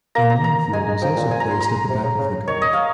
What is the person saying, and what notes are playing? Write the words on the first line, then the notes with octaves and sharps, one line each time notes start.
A minefield was also placed at the back of the cove.
A#3 A#5
A#5
A#5
G#3 G#5
G#3
F3 G5
A#2
G#5
A#5
C6
A#5
C3
C#3
C#3
D#3 C#5
D#5
F5